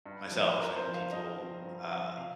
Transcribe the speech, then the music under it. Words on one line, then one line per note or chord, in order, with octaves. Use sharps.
myself and people, uh,
G2
F3 C4
G2 A#4
C5
F3 C4
F5
G2 D#5
F3 C4
G2
F3 C4
C3 F5